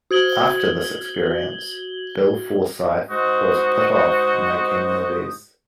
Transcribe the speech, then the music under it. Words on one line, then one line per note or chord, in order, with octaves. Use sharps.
After this experience Bill Forsyth was put off making movies.
F#4 G#6 F#7 G7
G#2 G#3 F#4 C5 D#6